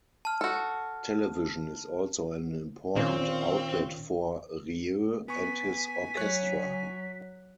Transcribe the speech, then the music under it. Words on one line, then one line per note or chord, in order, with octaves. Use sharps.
Television is also an important outlet for Rieu and his orchestra.
A5 F6
F#4 A4
A#2 D#3 C4 C#4 F5 C#6
B3 G#5 C#6 B6
F#3 C#5 C#6 F#6